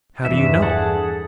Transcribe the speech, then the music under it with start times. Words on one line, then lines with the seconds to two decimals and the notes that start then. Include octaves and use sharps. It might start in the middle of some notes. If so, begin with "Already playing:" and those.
"How do you know?"
0.25 E2 G2 E3 E5
0.62 G#4 A4 F#5